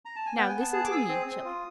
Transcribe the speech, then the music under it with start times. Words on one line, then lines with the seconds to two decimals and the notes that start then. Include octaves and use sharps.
Now listen to me, children.
0.05 A#5
0.16 A5
0.26 G#5
0.37 B3 G5
0.49 G#5
0.55 B3
0.60 A5
0.73 G#4 A5
0.85 D6
0.91 G#4 E6
0.97 D#6
1.08 C4 D#6
1.26 C4
1.44 F4